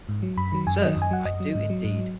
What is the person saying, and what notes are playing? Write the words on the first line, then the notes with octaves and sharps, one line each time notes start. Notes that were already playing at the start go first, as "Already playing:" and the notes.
Sir, I do indeed.
G#2
F#3
F#2 B5
D#3 F#3
F#2 G#5
D#3 F#3 D#5
F#2
G#5
F#3 F#5
F#2 D#5
F#3
G#2
F#3
G#2
F#3